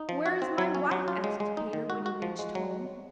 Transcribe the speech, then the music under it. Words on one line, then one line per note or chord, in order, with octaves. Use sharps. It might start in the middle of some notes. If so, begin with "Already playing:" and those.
'Where is my wife?' asked Peter, when he reached home.
Already playing: D#4
F3
F#4
C4
F#3
C#4
F#3
F4
G#3
G#3
D#4
D#3
F#4
F#4
F3
G#3
F#3